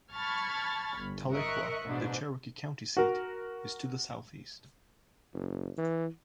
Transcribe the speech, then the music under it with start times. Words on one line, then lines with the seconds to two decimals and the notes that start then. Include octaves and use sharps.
Tahlequah, the Cherokee County seat, is to the southeast.
0.13 A5 B5 C#6 F6 G#6 A6
0.98 G1
1.30 A#4 D#5 E5 C#6 F#6
1.86 A1 G#2 B2 D4
2.97 F#4 A#4
5.34 F#1
5.78 E3